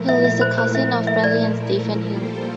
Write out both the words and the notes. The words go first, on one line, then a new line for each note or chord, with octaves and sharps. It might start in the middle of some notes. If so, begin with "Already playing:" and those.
Hill is the cousin of Bradley and Stephen Hill.
Already playing: A#2 F3 A3 E4 A#4
E5
E5
C5
C5
E5
E5
D5
G3 A#3 F4 A4 C5